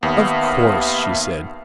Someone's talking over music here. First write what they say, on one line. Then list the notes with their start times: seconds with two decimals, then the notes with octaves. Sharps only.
"Of course," she said.
0.03 D#2 B3 E5 F5 F6